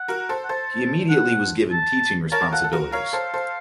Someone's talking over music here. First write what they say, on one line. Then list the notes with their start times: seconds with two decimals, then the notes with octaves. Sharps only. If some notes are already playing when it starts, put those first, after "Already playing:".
He immediately was given teaching responsibilities.
Already playing: F#5
0.08 F#4 A#4
0.29 A4 C5
0.44 F#5
0.49 A4 C5 A5
1.10 F#5
1.71 A5
2.32 A#4 C#5 A5
2.52 F4 A4 F#5
2.64 A4
2.72 F#4 A#4
2.92 A#4 C#5 F5
3.13 A4 C5
3.34 A4 C5